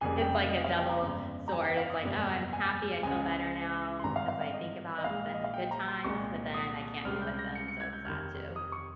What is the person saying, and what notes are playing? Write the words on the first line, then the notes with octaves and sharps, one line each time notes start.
it's like a double sword. It's like, oh, I'm happy, I feel better now, 'cause I think about how the ha good times, but then I can't be with them, so it's sad too.
F1 F2 C#3 G3 A#3 G#5
G5
F5
D#5
F5
G5
A#5
G1 F2 C#3 G#3
A#5
G#5
G5
F5
D#6
G1 F2 C3 G3 A#3
G#5
C#2 C#3 G#3 G#5
C6
G#1 G2 D#3 A#5
F5
F5
F5
D#5
D#5
A#1 A#2 G#3 F5
D#5
F5
G5
A#5
C6
C2 A#2 G#3 C#6
D#6
C#2 C3 G3 F6
G6
A#6
C#7
C#7
G#6
G6
F1 D#2 D#3 A#3 F6
D#6
C#6